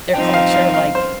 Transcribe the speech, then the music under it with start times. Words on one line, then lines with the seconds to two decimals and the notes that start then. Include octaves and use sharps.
their culture, like
0.13 F3 C4 D#4 G5
0.33 F5
0.54 F5
0.74 F5
0.95 C5